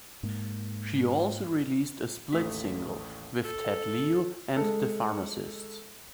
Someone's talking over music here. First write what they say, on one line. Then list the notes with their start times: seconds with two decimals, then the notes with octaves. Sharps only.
She also released a split single with Ted Leo and The Pharmacists.
0.23 G#2 G#3 A#3
2.33 A1 D#2 A3 D#6 B6
3.44 A4
4.57 G#3 A4